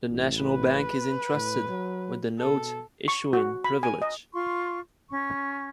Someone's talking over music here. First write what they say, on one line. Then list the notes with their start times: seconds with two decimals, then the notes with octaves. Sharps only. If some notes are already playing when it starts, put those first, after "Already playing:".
The National Bank is entrusted with the note-issuing privilege.
0.11 A1
0.43 B4
1.34 A2
1.69 F#3
2.39 B2 A4
3.08 C#6
3.33 F#4
3.64 B5
3.83 G#5
4.02 D#5
4.32 F4 C6 C#6
5.10 C#4 C#6